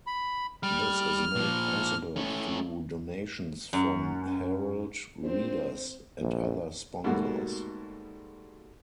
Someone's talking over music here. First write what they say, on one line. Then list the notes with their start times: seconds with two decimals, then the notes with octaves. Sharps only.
This is made possible through donations from Herald readers and other sponsors.
0.07 B5
0.63 G3 F6
1.36 A#2 F3
2.16 A3 C#4
3.73 F#2
5.22 A#1 C4 C5
6.21 A#1
7.04 G#2 B2 G3 A3 A#3 F#4